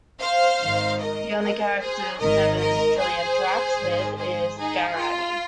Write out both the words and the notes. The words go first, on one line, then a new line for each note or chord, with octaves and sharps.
The only character Stebbins truly interacts with is Garraty.
C5 F5
G#1 G#2 D#3
A#4 D#5
A#4 D#5
G#4 C5
G#1 G#2 D#3 A#4 D#5
A#4 D#5
G#4 C5
G#1 G#2 D#3
G#4 C5
D#4 G#4
F4